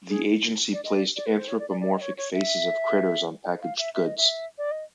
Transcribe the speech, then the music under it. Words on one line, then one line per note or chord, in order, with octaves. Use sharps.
The agency placed anthropomorphic faces of 'critters' on packaged goods.
G#4
D5
D#5
D5
D5
B4
C5
C#5
D5
D5
D5
D#5
C#5
C#5
E5
F5
E5
E5
D#5
E5
D5
D#5